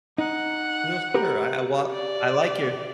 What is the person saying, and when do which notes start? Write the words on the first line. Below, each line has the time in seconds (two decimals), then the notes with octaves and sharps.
No, sure. I I well, I like your
0.18 D#4 F#5
1.14 G4 A#4 B4
1.92 D5